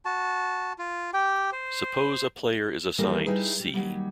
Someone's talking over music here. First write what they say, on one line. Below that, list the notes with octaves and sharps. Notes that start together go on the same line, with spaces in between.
Suppose a player is assigned "C".
F#4 A5
F4
G4 G5
C5
D#3 E3 G3 A3 A#3 A#4
G3 D#4 E4 G#4 B4
G3
D#2 G#2 F#3 G3